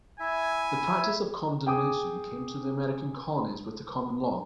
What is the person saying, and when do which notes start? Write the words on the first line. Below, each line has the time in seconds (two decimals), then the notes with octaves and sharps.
The practice of condemnation came to the American colonies with the common law.
0.20 E4 E5 G#5
1.66 G#4 G5 D6 D#6